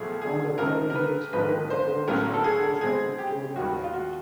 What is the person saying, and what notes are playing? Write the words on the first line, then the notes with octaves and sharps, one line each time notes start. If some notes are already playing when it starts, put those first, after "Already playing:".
On the third he explored the whole south coast of Victoria Island.
Already playing: B1 A#2 F3 A3 G#4
G#4
C#2 C#3 E3 A3 C4 A#4
A#4
B4
G#2 F3 A#3 B4
C5
B1 A2 F#3 A#3 C#4 A#4
A4
G#4
B2 G#3 C4 G#4
G4
D#2 D#3 G3 F#4
F4
F#4